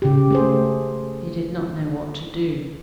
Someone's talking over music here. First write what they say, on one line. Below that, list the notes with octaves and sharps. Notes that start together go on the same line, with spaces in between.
He did not know what to do.
C#3 G4
A3 G#4 C5